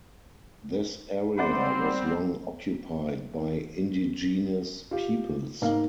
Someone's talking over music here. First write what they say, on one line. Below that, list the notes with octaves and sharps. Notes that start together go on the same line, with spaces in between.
This area was long occupied by indigenous peoples.
G3 C4 C5 D5 F#5 B5
F4 G4
G#2 A#3 D#4 F5